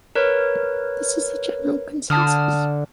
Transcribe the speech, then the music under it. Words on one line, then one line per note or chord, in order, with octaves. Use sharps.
This is the general consensus.
A#4 B4 C#5
D3 A5 D#6 F6